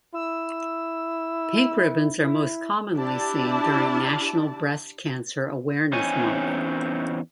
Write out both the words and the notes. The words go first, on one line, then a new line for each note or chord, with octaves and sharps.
Pink ribbons are most commonly seen during National Breast Cancer Awareness Month.
E4 E6
E4
D4 E4 G4 D5 A5
E2 C4 C#4 D#4 C#5 G#5